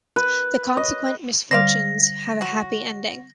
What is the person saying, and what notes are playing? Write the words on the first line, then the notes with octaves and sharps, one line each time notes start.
The consequent misfortunes have a happy ending.
B4
D#5
D3 G3 C5 D5 F5 A#6
F#3 F#4